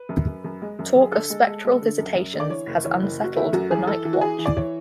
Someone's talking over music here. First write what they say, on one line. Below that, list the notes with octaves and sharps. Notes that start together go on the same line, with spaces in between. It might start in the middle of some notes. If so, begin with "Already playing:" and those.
Talk of spectral visitations has unsettled the night watch.
Already playing: B4
F#2
F#2
F#2
G#3
F#2
F#2
G#4
D3 A4
G#3
G#3
G#3
D3
F#2
F#2
D3
D5
E3 C#5
F#1
E3 C#5
F#1
F#1
F#4
A3 E4
F#2 F#4
E3 G#4
E3 A4
E3
F#4
E3 G#4
E3
D5
E3 C#5